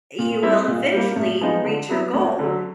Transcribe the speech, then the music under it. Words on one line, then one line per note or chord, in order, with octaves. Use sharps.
you will eventually reach your goal,
A#2
G3 C4 E4
A#2
G3 A#3
A2
F3 G#3 B3 D#4
D3
F#3 B3 E4
D2
D3 F#3